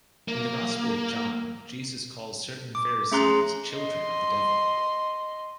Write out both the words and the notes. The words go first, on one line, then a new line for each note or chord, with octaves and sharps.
In the Gospel of John, Jesus calls certain Pharisees "children of the devil".
A#3
D6
A3 C#4 G#4 A#5 C6 F#6
D#5 C6